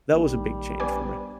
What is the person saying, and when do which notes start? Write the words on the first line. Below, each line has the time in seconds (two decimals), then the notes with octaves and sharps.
that was a big change for me.
0.13 A#1 D#3 G3 A#3
0.80 B3 D4 B4 C5 D5 G#5